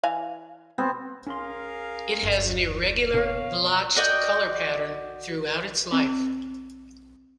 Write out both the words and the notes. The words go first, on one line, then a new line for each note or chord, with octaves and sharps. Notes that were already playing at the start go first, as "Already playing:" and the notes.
It has an irregular, blotched color pattern throughout its life.
E3 F5 G#5
B3 C4 C5
C#4 G#4 A#4 F5 C6
F#1 D#2
B2 C#5 F5
F#4 D5 D#5 G5
C4